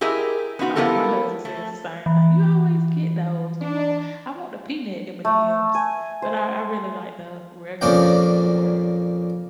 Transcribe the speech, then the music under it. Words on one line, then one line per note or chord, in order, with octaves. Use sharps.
Oh, my husband says the same thing, "You always get those. You want I want the peanut M&M's," but I I really like the regular ones more.
E4 G4 G#4 A#4 D#5 E5
B3 D#4 E4 F#4
A#3 B3 E4 G4 A4 A#4
A3
E3
D4
A3
G#5
C5
F2 A#2 A#3 C#4 D4 G5